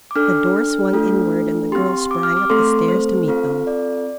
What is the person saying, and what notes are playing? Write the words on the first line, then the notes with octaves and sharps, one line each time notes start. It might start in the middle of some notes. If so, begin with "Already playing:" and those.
The door swung inward, and the girl sprang up the stairs to meet them.
D6
D4 A4 F6
A3 D4 F4 A4
C4 G4 C6
D6
F6
D6
A3 C4 A4 C6
C5
C4 F4 A4
D5